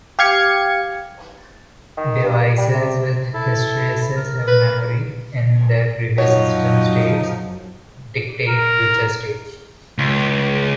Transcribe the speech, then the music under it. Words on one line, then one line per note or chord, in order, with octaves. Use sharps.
Devices with hysteresis have memory, in that previous system states dictate future states.
G4 F5 G#6 C#7
D#3
G2
G3
C3
E4 A4
A#4
B4
F#2 F3 F#3 D#4 F#4 C#5
A#4
C#2